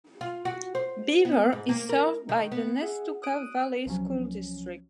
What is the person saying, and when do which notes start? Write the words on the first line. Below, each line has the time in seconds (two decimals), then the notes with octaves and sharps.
Beaver is served by the Nestucca Valley School District.
0.21 F4
0.45 F#4
0.75 C5
1.25 B3
1.52 G#2
1.69 A#3
1.89 A#4
2.29 D#3
2.51 B3
2.82 G#4 E5 F#5
3.23 D#6 F#6 D7 D#7
3.86 C2 F3 F#3 C#4